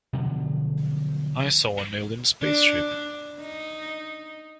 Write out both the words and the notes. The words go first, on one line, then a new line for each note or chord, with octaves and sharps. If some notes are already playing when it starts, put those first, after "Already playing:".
I saw an alien spaceship.
B2 D3 F3 F#3
D4
D#4